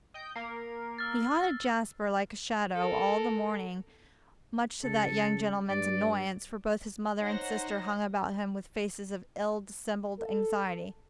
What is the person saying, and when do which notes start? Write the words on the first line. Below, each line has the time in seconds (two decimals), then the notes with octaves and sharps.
He haunted Jasper like a shadow all the morning, much to that young gentleman's annoyance, for both his mother and sister hung about him with faces of ill-dissembled anxiety.
0.14 D#5 G5 G6
0.36 A#3 A#4 C7
0.99 E6 F6 A6
2.74 A4 A#4
4.84 C#3 A4
5.69 G2 D5
7.21 D#4 C5 C#5 F#5 A#6
10.19 A4